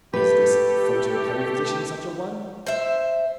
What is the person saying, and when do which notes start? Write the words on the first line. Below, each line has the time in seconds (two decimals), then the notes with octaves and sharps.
Is this photoplay physician such a one?
0.14 A3 G4 B4
2.66 C5 E5